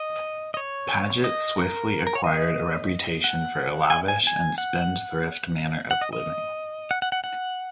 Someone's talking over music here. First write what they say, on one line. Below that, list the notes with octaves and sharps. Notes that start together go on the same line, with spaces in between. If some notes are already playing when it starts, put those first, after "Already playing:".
Paget swiftly acquired a reputation for a lavish and spendthrift manner of living.
Already playing: D#5
D#5
C#5
D#5
A#4
A#4
C#5
D#5
F#5
G#5
G#5
G#5
F#5
F#5
D#5
D#5
F#5
F#5
F#5
F#5